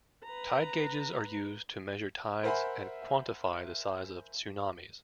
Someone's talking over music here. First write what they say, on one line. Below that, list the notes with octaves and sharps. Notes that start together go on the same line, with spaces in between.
Tide gauges are used to measure tides and quantify the size of tsunamis.
B4 A#5
A#4 C5 E5 F#5 G#5 B5